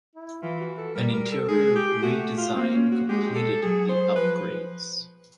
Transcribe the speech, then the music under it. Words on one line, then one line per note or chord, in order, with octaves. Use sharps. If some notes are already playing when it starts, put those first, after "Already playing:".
An interior redesign completed the upgrades.
E4
E3 F4
F#4
A4
G3 A#4
A#4
A4
G#3 G#4
G4
A3 F#4
F4
A#3 C4
C#4
F#4
G#3 G4
F#4
G4
A4
F#3 G#4
C5
F3 B4